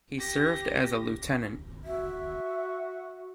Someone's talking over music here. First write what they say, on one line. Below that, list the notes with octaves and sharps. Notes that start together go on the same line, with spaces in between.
He served as a lieutenant.
G4 A#6
F#4 E5